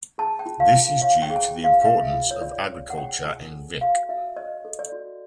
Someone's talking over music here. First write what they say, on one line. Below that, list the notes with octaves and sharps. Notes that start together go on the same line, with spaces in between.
This is due to the importance of agriculture in Vik.
G#4 A5
G5
F4
F5
F4
C#5 F5
G5
G#4
G#5
G5
F4
F5
F5
G#4 E5
F4
C#5
F4 D5
C#5
F#5
G#4 G5
F4 G#5
A4
F#4 F5
F#4 E5
C#5 D#5
A4
D5
F#4